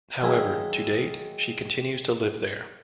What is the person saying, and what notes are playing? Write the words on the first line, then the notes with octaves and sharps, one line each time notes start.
However, to date she continues to live there.
D#3 F#3 G#3 A#3 E4